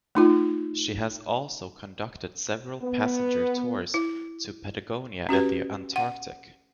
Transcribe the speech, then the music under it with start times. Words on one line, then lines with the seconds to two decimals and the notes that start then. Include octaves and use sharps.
She has also conducted several passenger tours to Patagonia and the Antarctic.
0.15 A3 D#4 F4
2.83 B3
3.94 E4
5.29 C#4 F#4 G4 B4
5.96 F#5